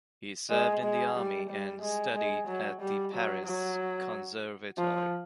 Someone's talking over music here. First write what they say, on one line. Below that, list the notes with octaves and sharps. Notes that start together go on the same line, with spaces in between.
He served in the army and studied at the Paris Conservatoire.
G#3
G#3
G3
G3
G#3
G#3
F#3
G3
F#3
F#3
F3